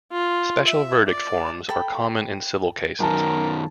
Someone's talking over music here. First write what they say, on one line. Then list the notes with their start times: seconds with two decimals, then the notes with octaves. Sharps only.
Special verdict forms are common in civil cases.
0.12 F4
0.67 E5
1.07 D5
1.69 A4 G5 B5
3.00 F#2 D#3 A#4 G#5 A5